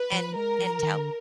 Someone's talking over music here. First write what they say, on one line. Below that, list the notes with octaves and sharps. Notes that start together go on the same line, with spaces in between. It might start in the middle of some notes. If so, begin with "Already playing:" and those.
and and tell
Already playing: B4
F3
G#3 A#4
F3
D3
D#3
D3